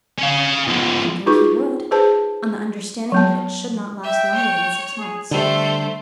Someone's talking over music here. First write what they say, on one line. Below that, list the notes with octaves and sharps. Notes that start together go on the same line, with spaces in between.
"I think he would--on the understanding that it should not last longer than six months."
C#4 F5
F3 B3
D#4 F4 F#4 G#4 B4 C#6
G#4 B4 C5 A5
F#3 B3 A5
E5 G5
C#5
G#4
D3 G3 A3 A4 C5